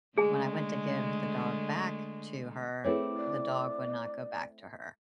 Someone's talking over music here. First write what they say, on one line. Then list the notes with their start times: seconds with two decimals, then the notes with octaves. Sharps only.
when I went to give the dog back to her, the dog would not go back to her.
0.18 D3 G#3 A3 G#4 G#5
2.84 A3 C4 E4 G#4 B4 C#5 D6
3.17 D5